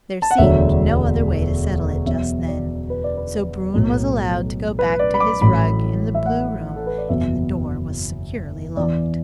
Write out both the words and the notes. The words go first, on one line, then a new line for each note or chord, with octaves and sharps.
There seemed no other way to settle it just then, so Bruin was allowed to go back to his rug in the blue room, and the door was securely locked.
A5
F#5
E1 D2 D3 F#3 E5
E2 B2 F#3 E5
D5
B4
D5
B4
B1 A2 F#3
B4
D5
B5
D6
A1 A2 F#3 B5
E5
F#5
A4
B4
D5
F#1 E2 B2 F#3 E5
E2 E3 D5